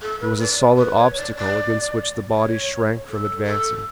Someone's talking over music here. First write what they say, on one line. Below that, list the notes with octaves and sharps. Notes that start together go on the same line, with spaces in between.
It was a solid obstacle against which the body shrank from advancing.
A4
B4
D5
B4
C#5
D5
D5
C#5
A4
A4